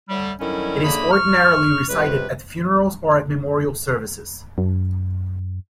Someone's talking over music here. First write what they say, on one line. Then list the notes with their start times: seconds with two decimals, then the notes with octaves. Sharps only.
It is ordinarily recited at funerals or at memorial services.
0.09 A2 D3 G3
0.40 D3 D#3 F#3 G3 C#4 E4
0.83 F#2 D3 A#3 D4 G#4 B5
1.10 C#6 F6
1.89 C#2 C3 G3 B4
4.58 F#2